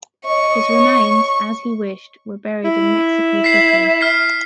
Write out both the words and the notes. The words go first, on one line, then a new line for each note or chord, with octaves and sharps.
His remains, as he wished, were buried in Mexico City.
C#5 D#5 C#6
E4
B6 C7
F6 B6 C7